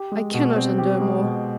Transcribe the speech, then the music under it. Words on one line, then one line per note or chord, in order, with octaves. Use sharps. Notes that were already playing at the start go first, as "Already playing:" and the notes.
I cannot endure more!
Already playing: G4
G#3
B2
C4
G4
G#3
B2